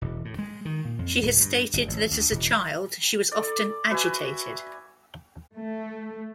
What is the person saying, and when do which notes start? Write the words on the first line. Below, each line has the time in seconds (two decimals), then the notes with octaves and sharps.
She has stated that, as a child, she was often "agitated".
0.01 E1
0.25 A2
0.38 G#3
0.65 D#3
0.85 A#2
0.99 F2
1.22 D1
1.39 G2
1.73 G1
1.88 A1
2.11 D2
2.31 E1
3.31 A4 D5
3.91 F#4 B4 E5 G#5
5.56 A3